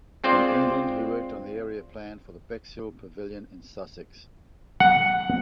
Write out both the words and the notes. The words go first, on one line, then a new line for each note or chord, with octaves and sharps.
In England he worked on the area plan for the Bexhill Pavilion in Sussex.
G#3 C4 F4 C5 D5
F#5